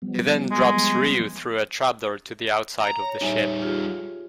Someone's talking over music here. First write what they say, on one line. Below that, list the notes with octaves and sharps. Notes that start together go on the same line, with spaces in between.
He then drops Ryu through a trap door to the outside of the ship.
F3 G3 B3
G#3
A#5
C#5
G3 D#4 C#5 E5 G#5
F4 G4 G#4